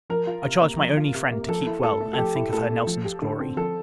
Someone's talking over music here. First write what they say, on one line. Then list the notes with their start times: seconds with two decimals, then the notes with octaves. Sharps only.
I charge my only friend to keep well, and think of her Nelson's glory.
0.10 F3 A#4
0.27 F4
0.45 C3
0.62 A#3
0.79 F3
0.97 F4
1.14 C3
1.31 A#3
1.49 F3 A4
1.67 E4
1.83 A2 A4
2.00 A3
2.13 A4
2.18 F3 G4
2.35 E4
2.53 A2 A4
2.70 A3
2.87 F3
3.05 G4
3.22 D3
3.40 C4
3.57 F3 A4